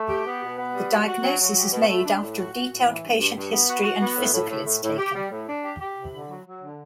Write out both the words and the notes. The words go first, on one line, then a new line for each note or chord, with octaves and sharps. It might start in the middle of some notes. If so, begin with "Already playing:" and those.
The diagnosis is made after a detailed patient history and physical is taken.
Already playing: A3
G4
B3
B2
B3
G3
F#4
F#4
F#3
F#3
G4
B2
A3
D4
A2
F#4
F#4
A2
E3
G2
G2
G2
B3
F#4
F#4
B3
A2
A2
A2
A2
A2
G4
G3
A2
D4
G4
G4
C3
D3
F#3
F#3
D3